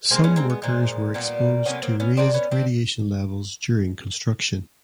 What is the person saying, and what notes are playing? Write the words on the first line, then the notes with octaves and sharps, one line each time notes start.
Some workers were exposed to raised radiation levels during construction.
C3 F3 G#3 A#3 C4
B3 C#4
A#3 C4
B3
A#2 F3 G#3
A#2 G3 A#3 B3
C3 D#3 F#3 A#3 B3 C#4
A#3 C4
B3 C#4
D#3 G#3 C4 D4
B3 C#4
C4 D4